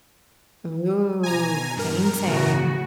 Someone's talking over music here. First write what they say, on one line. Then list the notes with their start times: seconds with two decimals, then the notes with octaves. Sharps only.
Ooh, painting.
1.23 B2 G#5 A#5
1.77 G2 A#4
2.24 A2 C#3 F#4